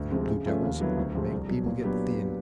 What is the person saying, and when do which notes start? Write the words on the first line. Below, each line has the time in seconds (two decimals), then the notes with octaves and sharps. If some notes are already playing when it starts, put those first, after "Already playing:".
And the blue devils make people get thin.
Already playing: D2
0.11 C3 F3 G#3 C4
0.28 C#3
0.46 F3 A3 C#4 F4
0.63 D#2
0.80 D3 F#3 B3 E4
0.97 D2
1.15 C3 F3 G#3 C4
1.32 C2
1.49 B2 F#3
1.66 A#2
1.84 F#3 B3 D4 G4